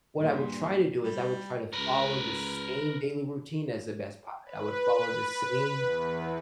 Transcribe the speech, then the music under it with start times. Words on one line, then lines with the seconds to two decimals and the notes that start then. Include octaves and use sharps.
what I would try to do is I would try to follow the same daily routine as the best pilot, I would follow the same
0.18 G2 A#2
1.03 G3
1.73 C#2 A#4 B4
4.45 B4
5.79 E2